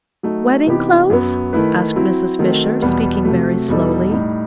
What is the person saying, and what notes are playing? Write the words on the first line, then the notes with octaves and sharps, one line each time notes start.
"Wedding clothes?" asked Mrs. Fisher, speaking very slowly.
F#3 A3 D#4
C3 E3 B3 D#4 G4
F#2 F#3 B3
D#3 A3 E4 B4
F#3 C4 E4
D#3 F#3 A3 C4
E2 B2 G3 B3
C3 F#3 A3
E2 B2 G3 D#4 A4
A2 G3 D#4